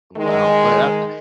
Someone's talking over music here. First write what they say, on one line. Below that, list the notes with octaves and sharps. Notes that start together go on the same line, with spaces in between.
wow, but, ah
D#3 G#3